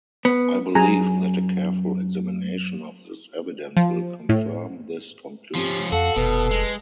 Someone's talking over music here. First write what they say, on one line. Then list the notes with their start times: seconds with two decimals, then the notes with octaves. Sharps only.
I believe that a careful examination of this evidence will confirm this conclusion.
0.25 B3
0.75 F#2 G#4 G#5 A#5
3.77 F3
4.29 A2
5.55 F3 C#4 G4
5.92 F2 F#4 A4 F5
6.16 F1 B2 B4
6.51 G#3